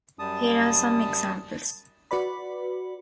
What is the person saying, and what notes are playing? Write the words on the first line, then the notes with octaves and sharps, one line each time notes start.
Here are some examples.
F#2 G3 A5 D#6
F#4 B4 D5 B5